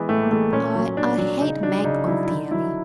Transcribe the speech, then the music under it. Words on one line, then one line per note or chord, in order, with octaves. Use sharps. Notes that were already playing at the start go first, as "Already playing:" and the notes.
I--I hate Mag of the Alley.
Already playing: E3 G#3 B3
A2 A3
A#3
E3 G#3 A3
A#2 C#4
F#3
A#2 D4
F#3
C#3 D#4
F#3 D4
C#3 D#4
F#3 E4
E4
D3 D#4
F#3 E4